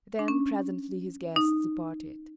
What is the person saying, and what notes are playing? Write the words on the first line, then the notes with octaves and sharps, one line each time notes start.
Then presently his guests departed.
D4
C#4
D#4